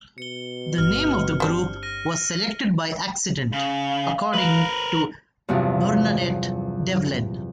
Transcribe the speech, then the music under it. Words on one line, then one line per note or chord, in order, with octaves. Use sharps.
The name of the group was selected by accident, according to Bernadette Devlin.
B2 C#7 G7
G1 F6
G3 C4 D4
F6 A#6 D#7
C#3 F5
A#4 B4
E2 G2 C3 F3 F#3